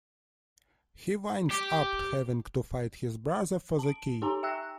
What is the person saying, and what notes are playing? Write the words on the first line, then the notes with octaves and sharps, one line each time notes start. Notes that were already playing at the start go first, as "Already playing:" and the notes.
He winds up having to fight his brother for the key.
G4
A5 D7
D#4 G4 G#5 A#5
E5 G5 E6 F#6